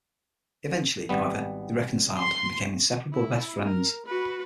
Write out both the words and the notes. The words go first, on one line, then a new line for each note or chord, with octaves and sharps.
Eventually, however, they reconciled and became inseparable best friends.
G#1 G3 B3
C6
E4
A#4
F#4 B4